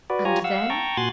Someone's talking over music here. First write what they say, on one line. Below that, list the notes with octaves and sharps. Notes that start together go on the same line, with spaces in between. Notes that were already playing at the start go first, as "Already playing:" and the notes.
"And then?"
F#4 B4 D5
F4 G4 C#5 G#5 A#5
F5 F#5 E6
G5 A5 A#5 C#6
A#2 F#4 G#5 C6 F#6 A6